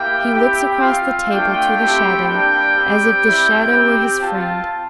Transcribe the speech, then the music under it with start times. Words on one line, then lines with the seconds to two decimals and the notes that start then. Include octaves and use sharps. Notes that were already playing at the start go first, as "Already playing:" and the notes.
He looks across the table to the shadow, as if the shadow were his friend.
Already playing: A#3 E4 G4 G5
0.33 C4 E4 G4 G5
0.82 C4 F4 F5
1.29 A3 D4 F4 G5
1.78 A3 C4 E4 G4
2.26 G3 A#3 D4 G5
2.75 G3 C4 G4
3.23 G3 C4 E4
3.71 C4 G4
4.20 C4 F4 A5